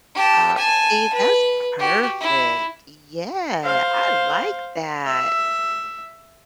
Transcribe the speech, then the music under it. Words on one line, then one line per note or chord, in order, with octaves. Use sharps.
Opps see, that's perfect. Yeah, I like that.
G4 A5
G#5 A5
B4
F#4 G4
E4
C5 F5
E5